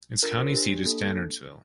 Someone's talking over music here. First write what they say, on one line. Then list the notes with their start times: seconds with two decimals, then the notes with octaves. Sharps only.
Its county seat is Stanardsville.
0.23 D4 F4 A4 A#4
0.38 C5
0.54 D4 G4
0.85 A#3 D4 A4